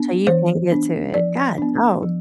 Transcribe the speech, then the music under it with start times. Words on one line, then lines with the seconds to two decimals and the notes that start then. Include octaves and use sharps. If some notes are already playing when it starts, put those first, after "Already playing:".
So you can't get to it. God, oh.
Already playing: B3 D4
0.27 E3 C5
0.70 B3 D4
1.14 F3 D5
1.58 B3 D4
2.03 F3